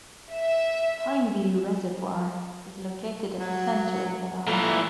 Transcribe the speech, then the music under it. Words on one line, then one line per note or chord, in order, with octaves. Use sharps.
Pineview Reservoir is located at the center of the valley.
E5
F#3
A#2 E3 A3